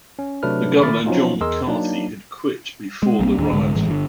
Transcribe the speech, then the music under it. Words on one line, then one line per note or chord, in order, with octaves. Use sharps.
The governor, John McCarthy, had quit before the rioting.
C#4
C3 F#3 A3 D4 B4 F6
D#3 A3 B5 D6 F6 A6
F3 F#3 B3 C#4 D#4 F4
E2 G#4 A#4 D#5 C6 E6
F#3 A#3 D4 D#4
G#3
B1 G3 A#3 C4
D1 D#2 D4
C2 G#2 D3 G#3
G#1 A2 E3 G#3
G1 D3